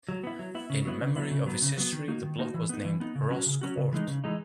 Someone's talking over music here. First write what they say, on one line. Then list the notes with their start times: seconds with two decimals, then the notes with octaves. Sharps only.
In memory of its history the block was named Ross Court.
0.09 F#3
0.24 B3 E4
0.39 F#3
0.55 B3 E4
0.70 C#3
0.85 F#3 B3 E4
1.01 C#3
1.16 F#3 B3 E4
1.31 C#3
1.46 F#3 B3
1.62 C#3
1.78 F#3 B3
1.92 D#3
2.08 A#3 D#4 F#4
2.23 D#3
2.39 A#3 D#4 F#4
2.54 E3
2.69 B3 D#4
2.85 E3
3.00 B3 D#4
3.15 C#3
3.30 F#3 C#4 F#4
3.46 C#3
3.61 F#3 C#4 F#4
3.77 C#3
3.93 E3 G#3 D#4
4.08 C#3
4.24 E3 G#3 D#4